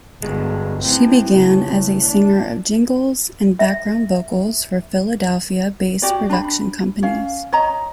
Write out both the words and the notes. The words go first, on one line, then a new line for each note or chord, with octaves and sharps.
She began as a singer of jingles and background vocals for Philadelphia-based production companies.
G1 C#2 B2 G#3
A2 E3 C4
C#3
D4
E5
F#4 G4 D5
D4 B5
C#4 F5
C#5 D#5 A#5